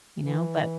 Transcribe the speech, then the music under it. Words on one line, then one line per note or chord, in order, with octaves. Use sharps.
You know, but
E3